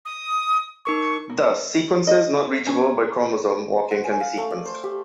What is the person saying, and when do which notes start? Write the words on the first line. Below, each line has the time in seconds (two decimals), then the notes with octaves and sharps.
Thus, sequences not reachable by chromosome walking can be sequenced.
0.05 D#6
0.85 D#4 A#4 C#6 D6
1.30 A#3
2.07 D#5
2.67 C#4
3.80 C6
3.91 F#5
4.04 G#5
4.20 F5
4.37 A3
4.51 D5
4.65 C5
4.84 G4